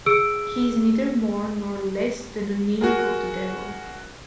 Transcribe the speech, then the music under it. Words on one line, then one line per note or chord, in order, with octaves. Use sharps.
He is neither more nor less than an imp of the devil.
G#4 E6 D7
F#4 G#4 A#4